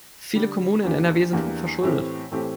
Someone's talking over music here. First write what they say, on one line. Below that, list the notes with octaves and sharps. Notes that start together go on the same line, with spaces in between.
Viele Kommunen in NRW sind hochverschuldet.
D3 G3 D4 G4
E2 E3 A#3 D4 G4
E2 E3 A#3 D4 G4
A2 E3 A3 C4 G4
A2 E3 A3 C4 G4